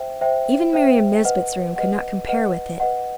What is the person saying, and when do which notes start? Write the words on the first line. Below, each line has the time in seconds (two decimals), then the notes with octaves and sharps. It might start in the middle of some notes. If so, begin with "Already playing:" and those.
Even Miriam Nesbit's room could not compare with it.
Already playing: C5 E5 G5
0.21 C5 E5 G5
0.73 C5 E5 G5
1.25 B4 D#5 F#5
1.76 B4 D#5 F#5
2.28 B4 D#5 F#5
2.80 B4 D#5 F#5